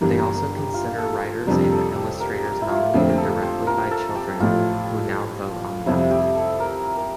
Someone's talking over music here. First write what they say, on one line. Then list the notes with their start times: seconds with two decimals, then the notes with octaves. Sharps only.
They also consider writers and illustrators nominated directly by children, who now vote online.
0.01 G1 G2 E3 G3 A#4
0.19 A#4
0.37 A#4
0.56 G4
0.74 F4
0.98 A4
1.23 C5
1.47 F2 C3 G3 D4 A#4
1.72 A4
1.96 G4
2.20 A#4
2.45 G4
2.62 E4
2.69 F4
2.94 F2 D3 A3 C4 G4
3.10 G4
3.18 A4
3.43 C5
3.67 A#4
3.91 A4
4.15 G4
4.40 A1 A2 F3 F4
5.86 F2 C3 G3 C4 E4
6.11 G4
6.36 A4
6.60 A#4
6.97 A#4